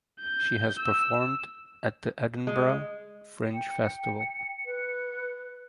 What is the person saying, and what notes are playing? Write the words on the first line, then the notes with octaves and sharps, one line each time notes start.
She has performed at the Edinburgh Fringe Festival.
G6
E6
G#3
G5 C#7
B4